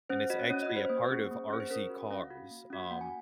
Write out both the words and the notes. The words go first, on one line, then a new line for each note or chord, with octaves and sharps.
and it's actually a part of RC cars, um
C#4 C5
F#4 D#5
C#5
C#4 C#5
D#5
F#4
C5
A#3 C5
C#4 G#4
A#3
C#4 G#4
C5
C#4 A#4
F#4
C#4 F5
F#4
A#3
C#4 F#4
A#3 F#5
G#5